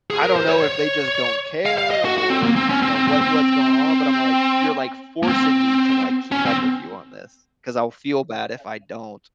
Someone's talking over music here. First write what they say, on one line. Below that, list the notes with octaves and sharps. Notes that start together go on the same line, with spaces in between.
I don't know if they just don't care or if you know, what what's going on, but I'm like, "You're, like, forcing me to, like, keep up with you on this 'cause I'll feel bad if I don't."
G#4
A#4
C5
C#5
C#5
F5
F5
D#5
F#4
F#4
C4
A#3
C4
C#4
C4
C4
C4
C4
A#3
C4
C#4
C4